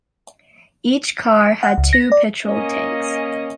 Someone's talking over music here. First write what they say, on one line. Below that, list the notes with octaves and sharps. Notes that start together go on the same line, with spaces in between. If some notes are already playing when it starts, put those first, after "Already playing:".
Each car had two petrol tanks.
F#5
C#2
A#6
D5
A#3 C#4 D#5